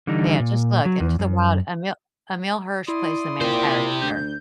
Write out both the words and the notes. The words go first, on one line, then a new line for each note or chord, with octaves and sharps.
Yeah, just look, Into the Wild. Emil Emile Hirsch plays the main character.
D3 E3 G3 D#4
A#2
F#3
E2
F#2
E4 D5 C6 D#6
A#2 G4 C5
D2 G6